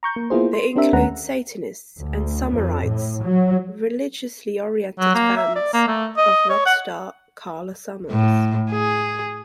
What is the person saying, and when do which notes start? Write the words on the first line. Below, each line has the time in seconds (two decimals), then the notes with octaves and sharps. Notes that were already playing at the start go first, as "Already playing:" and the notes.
They include Satanists and "Sommerites", religiously oriented fans of rock star Karla Sommers.
0.03 A#5 C#6 G6
0.16 A#3
0.30 A#3 B3 E4 F4 G#4 C5
0.53 C6
0.76 C4 D4 G4 A#4 E5
0.93 D#2 A3 C#4 B4 F#5 A#5
1.99 D2
2.54 F2
2.87 A2
3.24 F#3
5.00 F#3
5.15 A#3
5.37 E5
5.56 D5
5.73 A#3
5.88 A3
6.17 D#5
6.49 C#5
6.66 F#5
8.12 A2
8.71 G#4